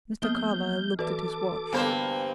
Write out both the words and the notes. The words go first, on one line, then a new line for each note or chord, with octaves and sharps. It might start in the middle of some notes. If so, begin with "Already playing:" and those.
Mr. Carlyle looked at his watch.
F3 A#3 B3 D#6 F6 G6
E3 F#4 A4 B4 D5 A5 D6
G2 D3 A#3 B3 C5 F5 G#5 B5